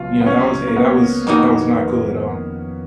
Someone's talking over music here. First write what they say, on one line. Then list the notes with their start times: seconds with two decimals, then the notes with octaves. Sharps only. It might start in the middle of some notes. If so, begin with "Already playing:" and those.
you know, that was a that was that was not cool at all.
Already playing: C#2 B2 F#3 F4
0.21 B3
0.26 C#4
0.67 A#3
0.76 B3
1.27 F2 D#3 A#3 D#4 F#4